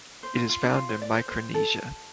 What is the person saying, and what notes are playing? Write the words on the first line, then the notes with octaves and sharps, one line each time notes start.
It is found in Micronesia.
C5
F4
F4
D4
F4
C5
D5
C5
C5
A4